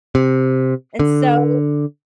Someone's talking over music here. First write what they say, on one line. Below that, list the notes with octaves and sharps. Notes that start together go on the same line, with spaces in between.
and so
C3
D3